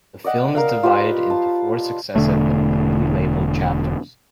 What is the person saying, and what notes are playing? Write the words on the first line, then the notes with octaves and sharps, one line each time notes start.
The film is divided into four successive and clearly labeled chapters.
D5 D#5 F#5 G5
A#4 F5
F4 G4 B4 C5
A5
E1 D3 A3